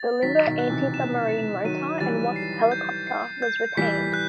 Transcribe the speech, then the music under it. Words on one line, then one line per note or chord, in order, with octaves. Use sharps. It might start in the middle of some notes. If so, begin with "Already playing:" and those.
The Limbo anti-submarine mortar and Wasp helicopter was retained.
Already playing: A6
D#3 F#3 B6
B2 D#3
F#6
C3 E3
E7
A6
D#3 F#3 D#7
E3 G3 A6
C7
G6
C7
G6
E3 G3 B6
F#6